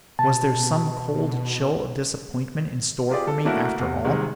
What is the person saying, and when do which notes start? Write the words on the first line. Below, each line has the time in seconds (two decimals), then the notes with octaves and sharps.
Was there some cold chill of disappointment in store for me, after all?
0.19 B2 A5
3.10 F4 G4 G#4 D5
3.27 A4
3.45 A3 A#3 D4 E4 F#4 A#4
3.79 E2 C3
4.05 C3 D#3 G3 G#3